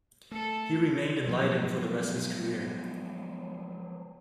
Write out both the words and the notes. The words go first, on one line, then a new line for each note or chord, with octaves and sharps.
He remained in Leiden for the rest of his career.
A3 A4
F3 F#3 G#3 B3